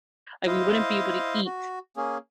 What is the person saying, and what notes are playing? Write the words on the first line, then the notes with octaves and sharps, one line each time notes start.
and we wouldn't be able to eat
E4 C5 D#5 F5
F#4
A#3 C#4 G#4